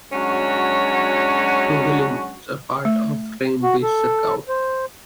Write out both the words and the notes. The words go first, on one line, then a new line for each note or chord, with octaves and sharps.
Kogalym is part of the raïon de Sourgout.
F#3 G#3 C#4 D4 F#4
A3
F#4
A4
C5